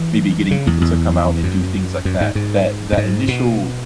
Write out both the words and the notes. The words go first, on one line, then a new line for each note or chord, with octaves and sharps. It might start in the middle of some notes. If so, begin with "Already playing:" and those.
maybe getting people to come out and do things like that that that initial
Already playing: E3
C#3
E2
E2
F#2
F#2
G#2
G#2
F#2
G#2
B2